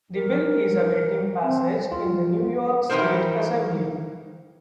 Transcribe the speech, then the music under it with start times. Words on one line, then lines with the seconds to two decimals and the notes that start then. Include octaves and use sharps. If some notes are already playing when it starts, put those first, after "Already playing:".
The bill is awaiting passage in the New York State Assembly.
0.15 A#4
1.42 C4
1.92 F4
2.90 E3 G3 A3 D#4 A#4 C5